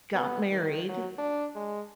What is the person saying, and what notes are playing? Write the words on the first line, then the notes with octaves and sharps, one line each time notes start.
got married,
B3
D#3
F#3
D4
G#3